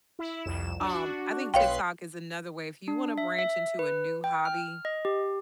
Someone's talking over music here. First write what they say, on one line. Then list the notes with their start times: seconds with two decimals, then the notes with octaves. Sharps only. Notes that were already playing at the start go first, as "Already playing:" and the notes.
um, I think TikTok is another way if you wanna branch into a new hobby,
0.19 E4
0.45 C2 F2 E7
0.81 D4 F#4
1.54 B1 B4 C#5 F5 G5 C6
2.88 D4
3.18 E5
3.39 E5
3.79 B4
4.24 G5
4.45 F6
4.85 D#5
5.05 G4